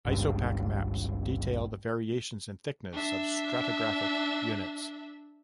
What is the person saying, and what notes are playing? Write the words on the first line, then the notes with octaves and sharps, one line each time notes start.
Isopach maps detail the variations in thickness of stratigraphic units.
G#1 C#2 G2
D4 E5